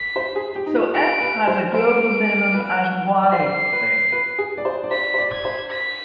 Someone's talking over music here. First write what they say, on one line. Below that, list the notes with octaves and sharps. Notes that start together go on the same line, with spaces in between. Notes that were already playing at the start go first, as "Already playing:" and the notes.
So "f" has a global minimum at "Y" say.
Already playing: B6
C5
G#4
G4
D#4
F4
G4 D7
B4
C5
C5 D7
B4
D5
C5 C7
B4
B4
G#4
D5
C5
D5
C5 B6
C5
D5
G#6
C5
B6